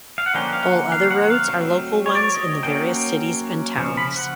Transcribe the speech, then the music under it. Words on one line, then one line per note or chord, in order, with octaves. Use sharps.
All other roads are local ones in the various cities and towns.
F5
F#5
D3 F3 A#3 C#4 G5
F5
F#5
F5
F#5
F5
F#3 A3 C4
C#5
D5
C#5
D#5
F#3 A#3 C#4 G5
C#3 F3
B5
F#5